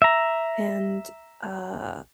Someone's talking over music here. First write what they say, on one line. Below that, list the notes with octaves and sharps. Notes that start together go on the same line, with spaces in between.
and, uh
E5 A#5